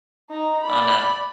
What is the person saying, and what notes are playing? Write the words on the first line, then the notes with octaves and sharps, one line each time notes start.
on a
D#4 A#5
D5 B5